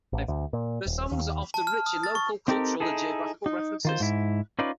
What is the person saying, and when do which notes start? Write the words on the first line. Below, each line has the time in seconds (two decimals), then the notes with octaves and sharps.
Their songs are often rich in local, cultural, and geographical references.
0.13 A1
0.28 D2
0.53 A#2
0.86 D#1
1.11 D#2
1.54 A5
1.67 F6
1.86 D#6
2.03 A6
2.15 C#6
2.48 C4 D#4 G4 A4 A#4
2.80 D#4 E4 G#4 A4
3.46 D#4
3.85 D#3 F4 C5
4.00 G#2 E4
4.59 C#4 D#4 F4 B4 D5